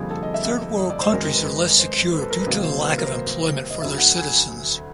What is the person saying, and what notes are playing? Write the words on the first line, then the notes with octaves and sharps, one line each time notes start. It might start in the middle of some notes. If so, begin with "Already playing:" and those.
Third world countries are less secure due to lack of employment for their citizens.
Already playing: F1 F2 D3 G3 A#3 G#4
A4
D#5
E5
E5
D#5
D5
C5
F#2 D#3 G#3 C4 A#4
A#4
B4
C5
B4
A4
A#4
B4
C2 C3 D#3 F#3 A#3
C5
B4
A#4
C5
B4
D#5
D2 D3 F#3 E5
F#5
G#5